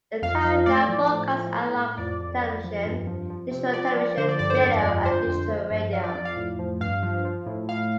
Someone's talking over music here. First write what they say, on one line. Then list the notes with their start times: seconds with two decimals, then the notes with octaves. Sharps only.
The tower now broadcasts analog television, digital television, radio and digital radio.
0.22 F2 F5
0.44 F3
0.66 A2 D5
0.89 F3
1.10 A2
1.32 A2
1.53 A2
1.76 A2
1.98 F2 D5
2.20 F2
2.42 F2
2.64 F3
2.85 G2
3.07 F3
3.30 F3
3.51 C3
3.73 F3 D5
3.96 F3
4.17 D3 C5
4.29 D5
4.39 G2 D5
4.50 C5
4.61 F2 D5
4.83 D3
5.05 F3 C5
5.27 F2
5.49 F3
5.71 G2
5.93 F3 F5
6.04 D5
6.15 F2 D5
6.25 F5
6.37 A2
6.59 F3
6.80 G2 F5
7.03 F3
7.25 F3
7.46 A2
7.69 A2 F5